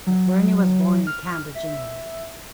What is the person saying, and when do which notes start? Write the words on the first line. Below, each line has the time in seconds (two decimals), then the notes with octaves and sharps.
McBurney was born in Cambridge, England.
0.07 F#3
1.07 F6
1.55 E5